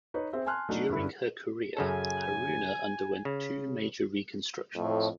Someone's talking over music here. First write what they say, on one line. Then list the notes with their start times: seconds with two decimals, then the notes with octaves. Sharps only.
During her career, "Haruna" underwent two major reconstructions.
0.14 D#4 B4 C#5
0.33 C4 G#4 E5
0.46 G#5 A5 C6 F6 F#6
0.69 F#3 A3 D4 D#4
0.88 F#1 G2 D3 E4
1.77 F#2 C#3 A4 G#5
3.25 C#3
4.75 F2 A2 A3